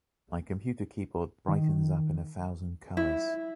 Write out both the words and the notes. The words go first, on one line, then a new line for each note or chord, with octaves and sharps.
My computer keyboard brightens up in a thousand colors.
D#3
E4